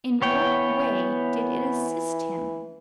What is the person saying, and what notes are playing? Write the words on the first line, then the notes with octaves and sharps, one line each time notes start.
In what way did it assist him?
E3 B3 C#5 G5